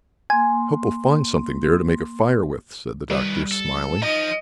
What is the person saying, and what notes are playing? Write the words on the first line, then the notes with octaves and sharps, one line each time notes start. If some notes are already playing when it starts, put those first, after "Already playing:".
"I hope we'll find something there to make a fire with," said the Doctor, smiling.
A#3 G#5 C6
D#3 G3 B4
A4
F3 D#4 D#5